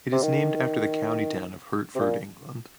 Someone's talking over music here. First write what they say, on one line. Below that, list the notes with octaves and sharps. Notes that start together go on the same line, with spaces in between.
It is named after the county town of Hertford, England.
C3
D#3
C3
A#2